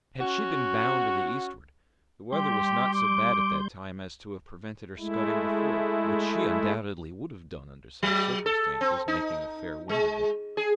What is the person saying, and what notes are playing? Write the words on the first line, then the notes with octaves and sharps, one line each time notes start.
Had she been bound to the eastward, the weather was not so bad at that time as to have prevented her scudding before it, which she undoubtedly would have done under such circumstances, making a fair wind of it.
C#4 F#4
G3 G4 C6 G6
D6
G#3 A3 E4
F#3
A4
C4
D#4
G#3
G#4